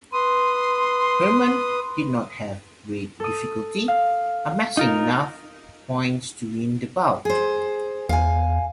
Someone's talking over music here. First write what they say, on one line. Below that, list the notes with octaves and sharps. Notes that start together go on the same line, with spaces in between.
Herman did not have great difficulty amassing enough points to win the bout.
B4 C6 D#6
A4 D#6
F5
D#4 F4 A#4
G#4 C5
E2 F5 G#5